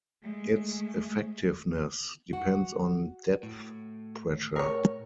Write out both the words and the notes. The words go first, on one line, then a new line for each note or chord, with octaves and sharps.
Its effectiveness depends on depth pressure.
G#3 A3
F#4
A2
A#4 C#5